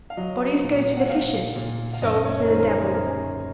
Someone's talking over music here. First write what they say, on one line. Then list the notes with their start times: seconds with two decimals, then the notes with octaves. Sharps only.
Bodies go to the fishes, souls to the devils.
0.10 F5
0.17 F#3 D#5
0.64 A#2
0.97 F#5
1.09 A#2 F5
1.56 A#2
1.93 F5
2.02 F#2 D#5
2.25 C#5
2.43 A#4
2.48 D#3 C5
2.60 A#4
2.71 G#4
2.86 C5
2.94 F#2 A#4